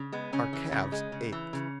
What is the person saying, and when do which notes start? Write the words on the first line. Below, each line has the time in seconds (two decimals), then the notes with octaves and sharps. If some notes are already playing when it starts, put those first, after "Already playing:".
Our calves ached.
Already playing: C#3
0.12 G#3 B3
0.33 C#3 C#4
0.53 E3
0.72 C#3
0.92 G#3
1.12 C#3
1.32 E3
1.53 C#3